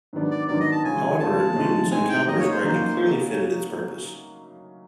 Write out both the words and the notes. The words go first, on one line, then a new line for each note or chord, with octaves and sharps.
However, Newton's and Cowper's writing clearly fitted its purpose.
G#2 D#3 F#3 B3 D4
D5
G#2 D#3 F#3 B3 D4 D5
D#5
A5
C#3 F3 G#3 G#5
C#3 F3 G#3 A5
A2 E3 G#3 C4 D#4
A2 E3 G#3 C4 D#4 G#5
G5
C#3 F#3 A#3 D#4 D#5
C#5
C5
C#3 F#3 A#3 D#4